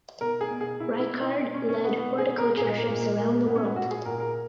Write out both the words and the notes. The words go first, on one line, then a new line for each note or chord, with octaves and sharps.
Reichard led horticulture trips around the world.
B2 A#4
G#4
B2
G#4
B2 E4
E4
B2
D#4
B2 D#4
C#4
B2 C#4
B3
B2 B3
G#4
B2
A#4
A#2 G#4
G#3
A#3
A#2
A#3
A#2 A#3
A#2 B3
C#4
B3
A#2 F#4
G#4
A#2 A#4
A#4